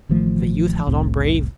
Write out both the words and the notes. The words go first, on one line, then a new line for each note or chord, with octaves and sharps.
The youth held on bravely.
A1 D#3 F3 A3
F1 C2 A2 C3